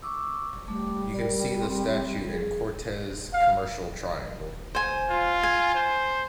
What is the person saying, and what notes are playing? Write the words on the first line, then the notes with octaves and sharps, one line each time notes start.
You can see the statue in Cortes Commercial Triangle.
C#6 D6 E6
G3 A3 D6
A#4 D5
C4
G#4
F5
C5 G#5
F4
G#5
C5